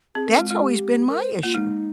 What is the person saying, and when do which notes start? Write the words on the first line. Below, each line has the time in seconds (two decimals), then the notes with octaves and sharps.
that's always been my issue.
0.15 C4 G#4
0.27 A#4
0.38 G#3 F4
0.50 G#3 F4
0.62 G4
1.09 A#4
1.20 C5
1.43 A#3 F4
1.54 G#3 D#4